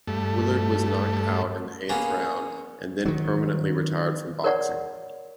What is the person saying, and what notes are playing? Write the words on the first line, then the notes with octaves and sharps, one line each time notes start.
Willard was knocked out in the eighth round, and then permanently retired from boxing.
G2 A3
A#3 B3 C#4 G#4
D#3 F#3
A#4 C#5 D5 F#5